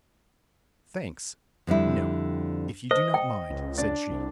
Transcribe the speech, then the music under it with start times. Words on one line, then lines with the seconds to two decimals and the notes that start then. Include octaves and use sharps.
"Thanks--no, if you do not mind," said she.
1.67 F2 D3 G3 E4
2.91 C5 D#5
3.14 G5
3.50 C#2
3.78 D4 D5 A6
4.10 C2